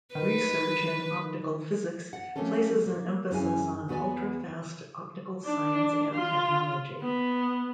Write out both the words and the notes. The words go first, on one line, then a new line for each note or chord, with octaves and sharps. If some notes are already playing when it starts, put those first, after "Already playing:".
Research in optical physics places an emphasis on ultrafast optical science and technology.
D#3 B4
F#5
F3 A3 A#3 C4 C#4 A4
A#3
F#2 C#4 E4 G#4 F5 G#5
E2 B3 F#4 B4 D5 G#5
D4
F4
B3